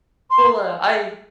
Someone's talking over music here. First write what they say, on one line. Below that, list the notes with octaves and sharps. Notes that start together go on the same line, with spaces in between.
Well, uh, I
C6